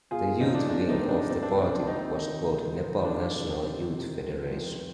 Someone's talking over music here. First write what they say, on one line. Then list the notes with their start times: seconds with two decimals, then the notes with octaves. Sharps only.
The youth wing of the party was called Nepal National Youth Federation.
0.11 G1 F4 G#4
0.40 G2 D3 F3 C4 D#4
0.55 D4
0.69 G1 D4
0.89 C4 D#4
0.99 F2 C3 F3
1.09 D4
1.28 C2 C4
1.43 D4
1.58 C3 F3 C4
1.73 D4
1.87 D#2 C4 D#4
2.16 D#3
2.47 D2
2.75 C3 D#3
3.04 F1 D4
3.34 F2 C3 D#3
3.63 D2 C4
3.93 C3 D#3
4.22 F1
4.51 F2 D#3